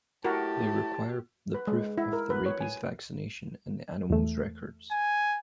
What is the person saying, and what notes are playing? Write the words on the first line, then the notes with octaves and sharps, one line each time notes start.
They require the proof of the rabies vaccination in the animal's records.
A2 F#4 G4 A#4 A5
B4
G#3
E4
A#4
B4
C#5
G#5
E2 A3
G#5